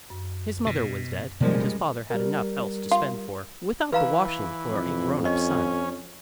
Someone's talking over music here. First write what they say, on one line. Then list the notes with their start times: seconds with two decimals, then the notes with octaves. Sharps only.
His mother was dead, and his father had enough else to spend for, without the washing for a grown-up son.
0.10 F#2
0.66 B2
1.40 B2 F3 G3 G#3 A#3 C#4 A#4 D5
2.10 G3 A#4
2.91 F4
3.92 E3 B4 F5 A#5
4.70 F2
5.25 C#4 D#5